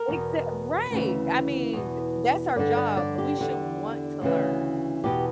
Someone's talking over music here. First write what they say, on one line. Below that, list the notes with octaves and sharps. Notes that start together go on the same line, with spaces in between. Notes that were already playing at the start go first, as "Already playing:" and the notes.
Exact right! I mean, th that's our job, we should want to learn.
Already playing: A#4
E2 B2
D2 C#3 E3
E2 B2
G2 D3 D5
D5
D5
G4
E2 D3
D2 C#3 E3
E2 B2 G4